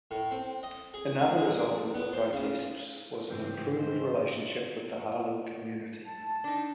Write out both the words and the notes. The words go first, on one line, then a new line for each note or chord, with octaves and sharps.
Another result of the protests was an improved relationship with the Harlem community.
A2
C4
D#5
G#4
G#3
G#4
B3
C5
C#3
G#2 C#3 E3 C4 G4
G#3 C5
A5
D4 D#4